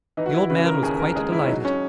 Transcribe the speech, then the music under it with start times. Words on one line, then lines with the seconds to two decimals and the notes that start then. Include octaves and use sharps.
The old man was quite delighted.
0.17 E3 D#4
0.26 F#4
0.34 E4
0.50 C#3 B4
0.66 A#4
0.83 D#2 G#4
0.99 A#4
1.16 G#3 G#4
1.32 E4
1.42 C#4
1.49 F#3 D#4
1.65 C#4